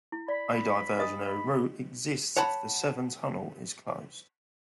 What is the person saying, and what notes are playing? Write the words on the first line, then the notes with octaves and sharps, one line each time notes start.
A diversionary route exists if the Severn Tunnel is closed.
E4
D5 B5
D4 D#5 D#6
C#5 F#5 A5 B5